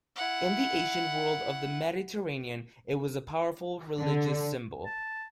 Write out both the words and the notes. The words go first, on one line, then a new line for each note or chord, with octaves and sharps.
In the ancient world of the Mediterranean, it was a powerful religious symbol.
E4 F#5
D3
A5